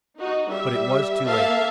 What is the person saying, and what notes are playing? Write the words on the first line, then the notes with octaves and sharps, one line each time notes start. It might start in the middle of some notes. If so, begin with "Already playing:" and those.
But it was too late.
D#4 F#4
G3 E5
A#3 A4 E5 F5 A5